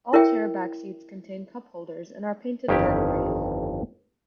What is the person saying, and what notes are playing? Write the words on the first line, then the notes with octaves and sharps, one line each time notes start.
All chair back seats contain cup holders and are painted dark green.
E4 A#4 C#5 E5 G5
G1 F2 D#3 E4 G4